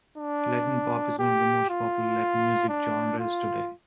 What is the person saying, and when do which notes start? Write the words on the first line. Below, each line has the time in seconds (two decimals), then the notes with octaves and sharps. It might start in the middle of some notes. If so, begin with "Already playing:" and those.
Latin pop is one of the most popular Latin music genres today.
0.18 D4
1.19 G4
1.70 F4
2.69 D4
3.19 F4